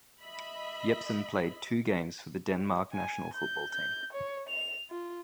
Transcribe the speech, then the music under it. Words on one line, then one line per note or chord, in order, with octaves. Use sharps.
Jepsen played two games for the Denmark national football team.
D#5 E5 B5
G#5
G6
G6
C#5
F7
F4